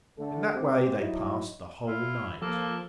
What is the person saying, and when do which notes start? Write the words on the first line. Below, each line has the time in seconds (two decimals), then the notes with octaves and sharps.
In that way they passed the whole night.
0.18 D3 A3 A4
0.54 G#2 C4 G4
1.00 F#3 D#4 E4
1.87 E4 F4
2.42 F3 A#3 A4